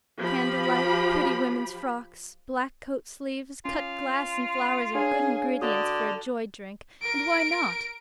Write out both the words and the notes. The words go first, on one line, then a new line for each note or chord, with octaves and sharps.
Candle-light, pretty women's frocks, black coat sleeves, cut glass and flowers are good ingredients for a joy-drink, and why not?
F3 G4 B5
C#4 F4
D4 G#4 C#5 F5
D3 F#4 D5 D#6
A#4 D7